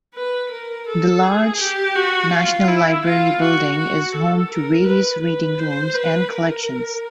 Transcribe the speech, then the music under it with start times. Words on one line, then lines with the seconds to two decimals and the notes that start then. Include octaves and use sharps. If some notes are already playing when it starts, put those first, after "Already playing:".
The large National Library building is home to various reading rooms and collections.
0.14 B4
0.51 A#4
0.87 A4
1.23 G#4
1.60 G4
1.95 F#4
2.32 F4
2.68 E4
3.05 F4
3.41 F#4
3.78 F#4
4.14 A4
4.50 A#4
4.86 B4
5.23 B4
5.59 C5
5.95 B4
6.32 A#4